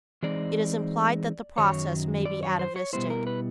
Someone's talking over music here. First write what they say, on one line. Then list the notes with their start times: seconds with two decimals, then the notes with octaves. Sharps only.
It is implied that the process may be atavistic.
0.23 E3 G#3 C4 D#4 D5
1.58 F#2 D#3 F#3 C#5
2.25 D5
2.43 C#5
2.59 C5
2.76 C#5
2.93 B2 G3 B3 E4 C5
3.10 A#4
3.27 B4